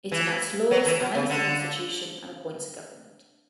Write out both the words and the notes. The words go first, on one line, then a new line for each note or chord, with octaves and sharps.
It enacts laws, amends the constitution and appoints a government.
E3
F#3
E3
B2
C#3
D3